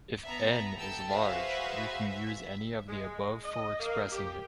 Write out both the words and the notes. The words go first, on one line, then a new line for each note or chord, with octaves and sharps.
If "n" is large we can use any of the above for expressing it.
B3 E5 A5 A#5
A4 G5 A5 E6
F#4 G#4 B4 C5 E5 F5
E5
G#3
D#5
A#3
G4